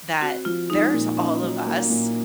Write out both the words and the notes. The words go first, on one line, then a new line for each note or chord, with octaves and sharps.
that there's all of us
C4 F#4
F3 F4
G#3 D#4
A#2
C#4 D#4
F#3
A#3
A#2